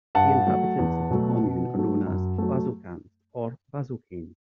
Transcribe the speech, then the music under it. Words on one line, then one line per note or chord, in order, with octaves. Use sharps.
The inhabitants of the commune are known as "Bazocains" or "Bazocaines".
G2 F#5 A5
F#3 A3
E2
B2 F#3 A3
B2
F#3 A3
F#2
F#3 A3